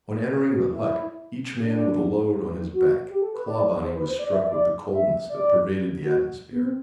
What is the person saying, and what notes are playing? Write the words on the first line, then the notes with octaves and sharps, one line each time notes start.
On entering the hut, each man with a load on his back, Clawbonny was struck with the coldness that pervaded the atmosphere.
F#4
E4
D4
F#4
G4
A4
B4
D5
C5
B4
C5
D5
E5
D5
E5
D5
F#4
B3
C4